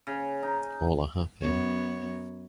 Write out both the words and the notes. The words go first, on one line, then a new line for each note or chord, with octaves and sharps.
All are happy.
C#3
D#4
F#2 B3 C#5